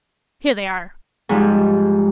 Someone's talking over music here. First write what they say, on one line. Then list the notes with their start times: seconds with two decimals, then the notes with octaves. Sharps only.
Here they are!'
1.29 G#2 F3 G3